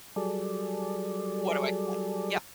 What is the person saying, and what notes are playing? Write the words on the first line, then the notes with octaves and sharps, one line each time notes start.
What do I say?" yeah.
F#3 G3 G#4 A4 D5